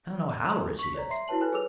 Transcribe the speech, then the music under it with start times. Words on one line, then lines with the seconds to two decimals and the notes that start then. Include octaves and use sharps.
I don't know how rich he is!
0.79 C#6 B6
0.94 C#5 D5 A#5
1.10 E5 C6 C7
1.28 E4 F#4 B4 C#5 A5 F#7
1.41 F4 A4 B4 G#5 F#6
1.53 G#4 B4 C#5 D6 E6 F7